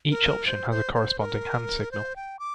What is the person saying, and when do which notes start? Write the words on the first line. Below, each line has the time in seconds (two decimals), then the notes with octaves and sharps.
Each option has a corresponding hand signal.
0.10 A#4
0.47 C5
0.71 C5
0.94 C5
1.19 A#4
1.92 C5
2.16 G5
2.39 D6